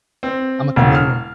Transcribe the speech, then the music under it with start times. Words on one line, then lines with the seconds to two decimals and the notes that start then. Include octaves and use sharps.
I'm a comedian.
0.23 C4
0.76 E1
0.95 F6